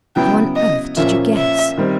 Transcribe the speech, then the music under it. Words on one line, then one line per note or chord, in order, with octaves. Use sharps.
'How on earth did you guess?
C#3 F#3 B3 E4 G5
D#5
A#2 F3 A#3 C#4 E5
E5
D#3 G3 C4